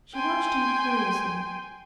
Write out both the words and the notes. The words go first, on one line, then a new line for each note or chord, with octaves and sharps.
She watched him curiously.
G5 G#5 C6